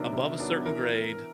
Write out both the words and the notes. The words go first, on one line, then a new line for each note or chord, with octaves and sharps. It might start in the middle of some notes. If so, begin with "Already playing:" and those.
above a certain grade
Already playing: C3 D#3 F#3 B3 D4 A#4
C3
D#3 F#3 B3 D4
E3 A#4